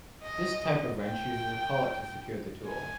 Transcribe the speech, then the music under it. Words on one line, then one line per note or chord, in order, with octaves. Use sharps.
This type of wrench uses a collet to secure the tool.
D#5
G5
G#5